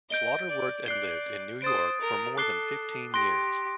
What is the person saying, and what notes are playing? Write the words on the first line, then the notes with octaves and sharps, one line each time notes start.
Slaughter worked and lived in New York for more than fifteen years.
D#5 G6 D7 G7
D5
D5 F#6 C7 G7
C5 D#6 A6 D7
A#4
A4 D6 F#6 C7 G7
G4 C6 F#6 A#6 D7